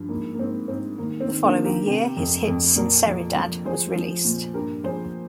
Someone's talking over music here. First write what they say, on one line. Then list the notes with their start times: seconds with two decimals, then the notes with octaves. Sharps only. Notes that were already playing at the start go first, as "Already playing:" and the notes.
The following year his hit "Sinceridad" was released.
Already playing: G2 F3
0.09 G#2 A#3
0.34 A#3
0.39 G#2 C4
0.68 G#2 C4
0.98 D#3 A#3
1.20 C4
1.28 D#3
1.43 A#3 D4
1.57 D#3
1.64 G4 A#4
1.87 C3
2.17 F2
2.47 F2
2.76 A#2 A#4 D5
3.07 F3
3.36 F3
3.65 F3 G#4 C5
3.96 F3
4.25 A#2
4.54 G2 G4 A#4
4.84 F3 G#4 C5